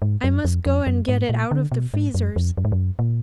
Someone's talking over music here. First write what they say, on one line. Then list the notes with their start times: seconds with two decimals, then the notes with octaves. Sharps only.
I must go and get it out of the freezers.
0.02 G#2
0.24 F#2
0.45 F2
0.66 F2
0.87 F#2
1.08 G#2
1.29 A#2
1.51 D3
1.72 B2
1.94 G#2
2.14 F#2
2.36 F2
2.57 F#2
2.65 G#2
2.72 F#2
2.99 A#2